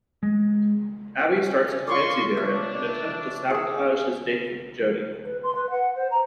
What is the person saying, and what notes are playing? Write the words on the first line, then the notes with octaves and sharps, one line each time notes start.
Abi starts to fancy Darren, and attempts to sabotage his dates with Jodie.
G#3
C#4
F4 C#5 D5 C6 C#6
D4 E5
G#4 E6
B4
C6
B4
F#5
C5
A#5